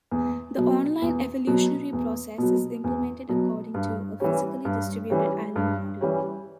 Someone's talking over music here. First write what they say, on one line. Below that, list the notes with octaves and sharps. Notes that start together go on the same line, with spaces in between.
The online evolutionary process is implemented according to a physically distributed island model.
E2
B2 F#3
E2
B2 F#3
E2
B2 F#3
E2
B2 F#3
G2
E3 G3 C#4
G2
E3 G3 C#4
G2
E3 G3 C#4